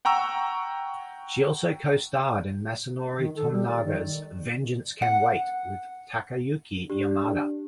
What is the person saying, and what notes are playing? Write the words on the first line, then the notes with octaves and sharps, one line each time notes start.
She also co-starred in Masanori Tominaga's "Vengeance Can Wait" with Takayuki Yamada.
F#5 G5 A#5 C#6 E6
D#3
A4
G3
D5
D#3
F#5
D4 G4